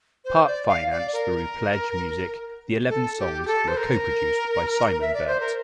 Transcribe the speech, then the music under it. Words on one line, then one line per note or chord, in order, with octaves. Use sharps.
Part financed through Pledge Music, the eleven songs were co-produced by Simon Byrt.
C5
D5
F5
D5
A#4
A4
G4
G4
A4
C5
A#4
E5
D5
C5
A#4